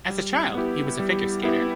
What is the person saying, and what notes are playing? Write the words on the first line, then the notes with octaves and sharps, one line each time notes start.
As a child, he was a figure-skater.
G3
B3 E4 G4
G3
B3 E4 G4